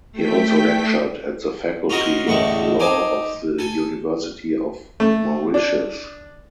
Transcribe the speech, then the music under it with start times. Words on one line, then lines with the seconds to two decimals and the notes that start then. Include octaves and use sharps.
He also lectured at the Faculty of Law of the University of Mauritius.
0.12 A3 G5 B6
1.90 C#4 F4 F#4 A#4 D#5
2.27 A1 E2 A2 D3 G#3 C#6
2.80 D#4 C5 G#5 D6
3.59 A4 G#5
5.00 A3
5.54 D4